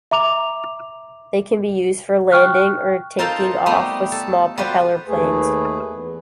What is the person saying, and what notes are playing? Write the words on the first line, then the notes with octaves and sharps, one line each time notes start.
They can be used for landing or taking off with small propeller planes.
E5 A#5 D6 F7
G5 C#6 F6 F#6
D#4 F4 A4 A#4 C5 F5
G3 A3 B3 D#4
A4
G3 F4 F#4 B4 C5
D#2 A3 G#4 B4
E2